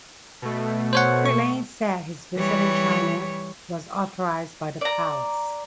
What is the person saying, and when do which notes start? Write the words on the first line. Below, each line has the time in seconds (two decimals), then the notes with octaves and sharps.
Trillanes said his visit in China was authorized by the Palace.
0.42 B2 A3
0.93 C5 C#5 F#5
1.26 C#6
2.36 E3 G3 C#5
4.81 D5 A#5